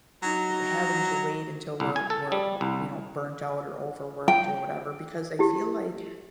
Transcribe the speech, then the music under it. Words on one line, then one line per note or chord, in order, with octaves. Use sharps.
u having to wait until we're we're, you know, burnt out or overworked or whatever. Because I feel like
F#3 D#4
C2
G#5
A4
G3
C2
G5
E4 G4